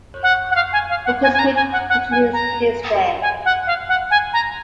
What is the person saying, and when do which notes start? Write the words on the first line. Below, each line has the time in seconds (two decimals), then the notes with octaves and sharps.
The dispute continues to this day.
0.23 F#5
0.51 F#5
0.55 F5
0.73 G#5
0.90 F5
1.05 F#5
1.23 G#5
1.33 G#5
1.39 A#5
1.56 G#5
1.73 F#5
1.89 F#5
2.11 G#5
2.33 A#5
3.22 G#5
3.45 F#5
3.67 F5
3.89 F#5
4.11 G#5
4.33 A#5